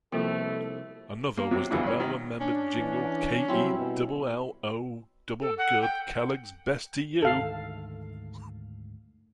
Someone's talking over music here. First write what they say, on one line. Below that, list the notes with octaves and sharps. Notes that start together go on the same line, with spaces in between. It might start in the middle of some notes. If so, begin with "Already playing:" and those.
Another was the well-remembered jingle K E double-L, O double-good, Kellogg's best to you!
C2 B2 F3 A3 A#3 F4 A4
A#3
C3 F#3
E2 G2 B2 D3 E3 F3
G2 C#4
D#3
C#4 D4
E3
F#3 G3 C4 E4
B2
A4
F#5
G5
D2 G#2 D#3 A4 F5